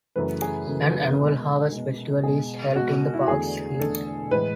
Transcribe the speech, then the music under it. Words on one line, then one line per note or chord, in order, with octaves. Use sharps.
An annual Harvest Festival is held in the park's field.
F#2 C#3 E3 A3 B4
G#4
F#2 C#3 E3 A3
B2 G#3
B2 G#3
B2 G#3 G#4
B2 G#3 F#4
E4
F#4
E2 D3 A3 G#4
E2 D3 A3 A4
A2 E3 G#3 B4